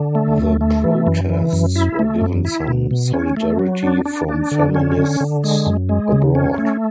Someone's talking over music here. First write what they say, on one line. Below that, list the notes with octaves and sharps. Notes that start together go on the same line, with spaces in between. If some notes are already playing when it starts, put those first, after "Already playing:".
The protests were given some solidarity from feminists abroad.
Already playing: D3
A3
D2
A3
E3
F#2
E3
F#2
E4
A3
F#2
E4
B2
B2
C#4
A3
F#3
D4
D4
D4
D3
C#4
D3
D3
G#3
F#2
G#3
C#3
C#4
A3